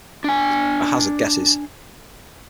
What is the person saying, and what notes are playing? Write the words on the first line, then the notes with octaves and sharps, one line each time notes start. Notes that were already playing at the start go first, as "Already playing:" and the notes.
I hazard guesses.
D4 G#5